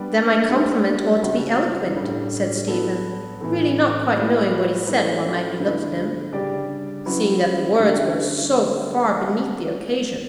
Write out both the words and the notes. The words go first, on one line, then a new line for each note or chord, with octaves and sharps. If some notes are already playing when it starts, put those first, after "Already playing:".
"Then my compliment ought to be eloquent," said Stephen, really not quite knowing what he said while Maggie looked at him, "seeing that the words were so far beneath the occasion."
Already playing: G3 B3 D4 G4 D5
B3 D4 G4
C#3 G3 C#4 F#4
A2 G3 D4
B3 E4 A4
A2 E3 B3 E4
G3 B3 E4 G4 D5
A3 C#4 E4 B4
D3 A3 E4 B4
C#3 G3 D4 G4 D5
F#3 C#4 E4 B4
D3 G3 C#4 G4